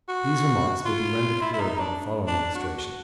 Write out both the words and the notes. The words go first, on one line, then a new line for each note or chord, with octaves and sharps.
These remarks will be rendered clearer by the following illustrations.
F#4
F4
E4
E4
D#4
D4
D4
F#4